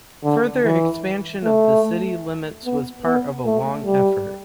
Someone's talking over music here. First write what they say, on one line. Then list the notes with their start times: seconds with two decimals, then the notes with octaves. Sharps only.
Further expansion of the city limits was part of a long effort.
0.24 D3
0.64 E3
1.45 A3
2.65 B3
3.05 B3
3.46 A3
3.86 G3